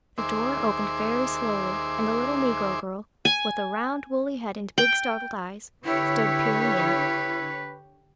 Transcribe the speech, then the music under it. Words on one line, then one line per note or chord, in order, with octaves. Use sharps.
The door opened very slowly and a little negro girl, with a round woolly head and big startled eyes, stood peering in.
D#2 G#4 C5 E5 C6 D6
G#5
G5
D3 E4 G4 B4 C#5